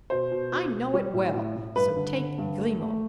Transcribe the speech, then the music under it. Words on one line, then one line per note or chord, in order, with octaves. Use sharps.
"I know it well, so take Grimaud."
B2 C5
B2
B2
B2
G3
A2
A2
A2
G2 B4
D3
D3
G2
A3
A3